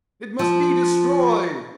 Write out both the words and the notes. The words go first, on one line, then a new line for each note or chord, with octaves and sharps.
"It must be destroyed!"
F3